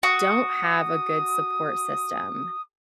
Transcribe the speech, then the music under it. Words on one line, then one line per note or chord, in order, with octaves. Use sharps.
don't have a good support system,
F#4 D#6